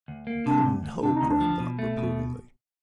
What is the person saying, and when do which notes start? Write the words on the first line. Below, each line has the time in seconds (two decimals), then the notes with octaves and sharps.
"Oh, no," cried Dot reprovingly.
0.08 D2
0.27 A#3
0.46 C3 D4
0.65 D2
0.84 D2
1.02 C3 D4
1.16 D#4
1.22 D2
1.29 D4
1.41 F3
1.59 B2
1.79 A3
1.97 B2